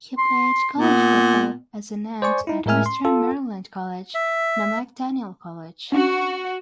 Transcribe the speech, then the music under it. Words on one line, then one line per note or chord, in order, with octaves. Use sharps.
He played college football as an end at Western Maryland College, now McDaniel College.
C6
A#2 B3
C5 D5 G#5 C#6
D#4 E4
A2 G#3 A#4 E5 G#5 F6
C6
F4 A4
E5
C#4 D4 F#4